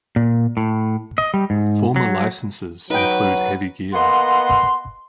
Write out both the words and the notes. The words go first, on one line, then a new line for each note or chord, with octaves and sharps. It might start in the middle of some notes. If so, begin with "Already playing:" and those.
Former licences include Heavy Gear.
A#2
A2
D#5
G3
G#2
F#3
F#3 D#4 B4 G5
A#3 B3 D#5 F#5 C6